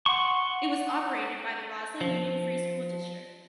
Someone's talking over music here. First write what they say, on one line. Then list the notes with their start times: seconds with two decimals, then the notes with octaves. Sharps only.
It was operated by the Roslyn Union Free School District.
0.06 F#5 C6 C#6
2.01 F3